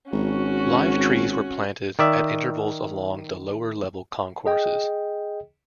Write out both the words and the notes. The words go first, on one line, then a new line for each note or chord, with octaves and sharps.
Live trees were planted at intervals along the lower-level concourses.
G#1 C#4 F#4
D#3 D5 E5
G#4 D#5 G5